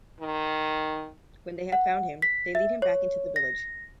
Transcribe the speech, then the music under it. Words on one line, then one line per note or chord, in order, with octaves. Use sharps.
When they have found him, they lead him back into the village.
D#3
F#5
B6
E5
C#5
A#6